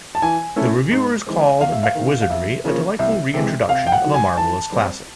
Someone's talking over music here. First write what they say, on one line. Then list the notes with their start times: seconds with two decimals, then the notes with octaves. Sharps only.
The reviewers called MacWizardry a delightful reintroduction of a marvelous classic.
0.15 A5
0.22 E3 G#5
0.56 A3 C#4 E4 A4
0.91 G#2
1.26 E3 G#3 C4
1.61 E2 F5
1.72 E5
1.83 F5
1.95 C3 D#3
2.21 F5
2.29 F2 E5
2.65 C#3 F3 A#3 C#4
2.99 C2 E5
3.34 C3 E3 G#3
3.68 C3 F5
3.87 G5
3.92 F#5
4.03 D#3 F#3
4.14 G#5
4.37 E3 A5
4.72 G3 C4